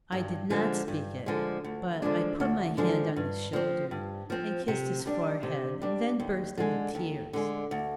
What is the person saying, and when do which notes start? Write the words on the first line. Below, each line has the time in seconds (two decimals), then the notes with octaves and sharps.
I did not speak it, but I put my hand on his shoulder and kissed his forehead, and then burst into tears.
0.12 G2
0.50 D3 F3 G#3
0.88 G2
1.26 D3 F3 G#3
1.64 D2
2.02 D3 F3 G#3 D4
2.40 D2
2.77 D3 F3 G#3 D4
3.16 G2
3.53 F3 C4
3.91 G2
4.30 F3 C4
4.68 C3
5.06 G3 D4
5.43 C3
5.82 G3 D4
6.20 D#2
6.58 D3 G#3
6.95 D#2
7.33 D3 G#3
7.71 D2